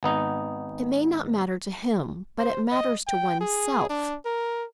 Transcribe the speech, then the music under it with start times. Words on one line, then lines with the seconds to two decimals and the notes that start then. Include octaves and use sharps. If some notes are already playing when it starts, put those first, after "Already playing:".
"It may not matter to him, but it matters to one's self."
0.03 G#1 B3 D#4
2.39 C5
2.72 D#5
3.07 G5
3.41 G#4
3.89 D4
4.25 A#4